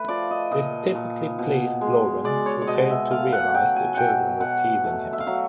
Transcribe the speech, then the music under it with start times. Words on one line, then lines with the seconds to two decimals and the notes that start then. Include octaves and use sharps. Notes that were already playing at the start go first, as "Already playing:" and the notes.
This typically pleased Lawrence who failed to realize the children were teasing him.
Already playing: A3 B4
0.08 F3 D5
0.31 D#5
0.51 A#2 D#5
0.95 A#2
1.38 B2
1.81 G#3
2.24 G#3 D5
2.46 C#5
2.62 D5
2.67 B2 D#5
2.90 E5
3.11 A3 F5
3.32 F#5
3.54 F#3 G5
3.76 G#5
3.94 B2 F#5 G5
4.40 B2 F#5
4.84 A3
5.13 E5
5.20 F5
5.27 F#3 E5